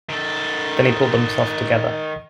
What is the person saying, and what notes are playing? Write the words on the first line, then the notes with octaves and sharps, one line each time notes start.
Then he pulled himself together.
D#3 A4